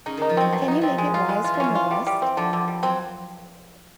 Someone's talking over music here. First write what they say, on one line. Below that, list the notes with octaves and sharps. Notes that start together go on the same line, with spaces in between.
Can you make it rise from the West?
C#3 D#4
D#3 D#4
F3
F#3 C4
B2 F#3
F3
E3 D#4
F3 C4
G#3
F4
G#3
E3 F4
F3
E3 C#4
F4
G3
G3
C4
D3 F3
D3
G3
F#3 C4